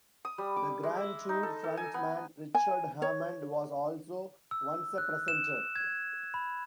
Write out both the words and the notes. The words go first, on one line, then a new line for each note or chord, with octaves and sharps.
"The Grand Tour" front-man Richard Hammond was also once a presenter.
D#6
G3
D6
G#3
E5
D#4
A4
A4
G#5
B3
G#5
C#5
E6
F#6
E7
G#6
B5